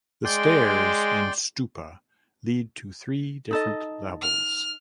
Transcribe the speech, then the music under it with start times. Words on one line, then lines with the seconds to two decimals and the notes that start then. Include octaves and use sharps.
The stairs in stupa lead to three different levels.
0.25 G#3 D5 G5 C6
3.51 D#4 A4 D#5
4.21 F6